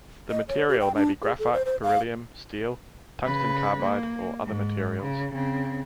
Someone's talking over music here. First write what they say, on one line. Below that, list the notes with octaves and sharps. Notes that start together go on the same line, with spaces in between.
The material may be graphite, beryllium, steel, tungsten carbide, or other materials.
D#5
C#5
G4
G5
D4
G#4
A4
C5
C5
F5
C#3 B4
A#3
G#2
C#3
C#3 C4